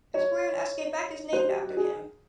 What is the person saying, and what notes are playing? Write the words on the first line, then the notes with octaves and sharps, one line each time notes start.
A square in Esquelbecq is named after him.
C#5
C5
G4
F#4
G#4